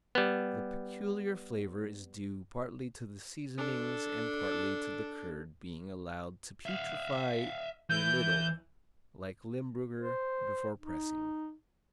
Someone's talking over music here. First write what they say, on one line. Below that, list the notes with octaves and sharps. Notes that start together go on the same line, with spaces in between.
The peculiar flavor is due partly to the seasonings and partly to the curd being allowed to putrify a little, like Limburger, before pressing.
G3 B3
D4 A4
E5 F5
E3 G6
C5
D#4